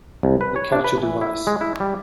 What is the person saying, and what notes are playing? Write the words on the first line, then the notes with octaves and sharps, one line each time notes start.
The capture device.
C2
B4
C#5
D4
B4
E3
E4
G#3
E4
G3